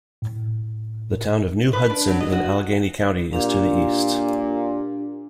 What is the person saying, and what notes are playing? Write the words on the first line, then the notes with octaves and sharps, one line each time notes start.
The town of New Hudson in Allegany County is to the east.
A2
B4
D4
F#3
D#5
F#4
A#2 D4 G4